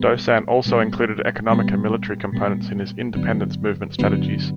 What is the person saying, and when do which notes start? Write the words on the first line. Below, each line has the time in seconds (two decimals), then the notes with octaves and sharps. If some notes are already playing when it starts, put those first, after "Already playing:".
Dosan also included economic and military components in his independence movement strategies.
Already playing: A#2 G3 B3
0.65 A#2 G3 B3
1.49 A#2 G3 B3
2.32 A#2 G3 B3
3.16 G2 D3 F#3 B3
3.99 G2 D3 F#3 B3